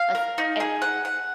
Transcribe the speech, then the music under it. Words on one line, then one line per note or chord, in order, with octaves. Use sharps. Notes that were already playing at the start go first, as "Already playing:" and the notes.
that's eh
Already playing: F5
A#4
D#4
G#4
F#5
F#5